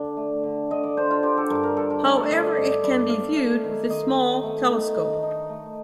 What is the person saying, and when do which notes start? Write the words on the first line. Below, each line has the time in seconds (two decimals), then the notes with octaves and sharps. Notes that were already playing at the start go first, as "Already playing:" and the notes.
However, it can be viewed with a small telescope.
Already playing: D3 D4
0.17 A3
0.44 D3
0.71 D3 D#5
0.83 D5
0.97 D4 C5
1.11 F4
1.23 D3 G4
1.37 A4
1.50 G2 A#4
1.63 A#4
1.77 G2 A4
1.90 A#4
2.03 A3 A#4
2.16 A4
2.30 D3 D#5
2.43 D5
2.56 G2 D#5
2.70 D5
2.83 G2 D5
3.09 A3 F5
3.36 A3 F5
3.64 D#3
3.90 D#3 D#5
4.16 D#4
4.43 A3
4.69 D#3
4.96 D#3
5.23 D#4
5.49 A3